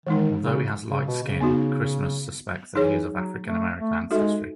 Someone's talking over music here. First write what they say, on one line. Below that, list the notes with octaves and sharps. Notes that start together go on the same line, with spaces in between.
Although he has light skin, Christmas suspects that he is of African American ancestry.
D#3 E3 G#3 D#4
C#3
C#3
B2
C#3
B3 D#4 F#4
E3 D#4 G#4 C#5
F#3
A3
A3
G#3 D#4 F#4 A4 E5